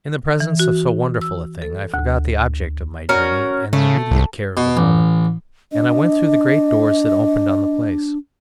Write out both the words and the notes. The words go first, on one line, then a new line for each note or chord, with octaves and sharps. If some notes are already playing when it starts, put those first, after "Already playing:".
In the presence of so wonderful a thing I forgot the object of my journey and the immediate care of the moment, and I went through the great doors that opened on the Place.
E3
F#4
E6
A4
D2
C#4 F#4 A#4
C#3 A3
C2
B2
A1
D4 D#5